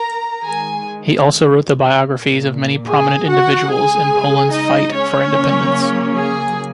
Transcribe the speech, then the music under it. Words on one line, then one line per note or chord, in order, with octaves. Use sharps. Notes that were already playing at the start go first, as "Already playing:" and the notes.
He also wrote the biographies of many prominent individuals in Poland's fight for independence.
Already playing: A#4 A#5
D#3 G#3 G#4 G#5
A#2 A#3
G#4 G#5
F#4 F#5
C#3 G#3 G#4 G#5
D#4 D#5
C#4 C#5
C#3 F#3 A#3
G#4 G#5